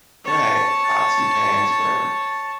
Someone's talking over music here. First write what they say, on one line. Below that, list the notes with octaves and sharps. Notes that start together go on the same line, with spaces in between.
Right, pots and pans or whatever.
C#5 A5